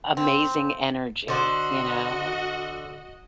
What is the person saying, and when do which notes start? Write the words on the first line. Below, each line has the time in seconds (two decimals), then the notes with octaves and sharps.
amazing energy, you know?
0.17 C4
1.28 D3 F#4 C5 D#5